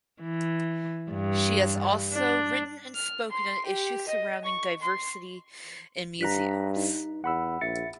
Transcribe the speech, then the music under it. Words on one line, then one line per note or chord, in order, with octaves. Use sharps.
She has also written and spoken on issues surrounding diversity in museums.
E3
G2
D4
F6
C6
G4
D#5
C#6
C6
G2 A#5 F#6 B6
D#4
E2 F#5 B5 E6
A#1 E5 A6 C#7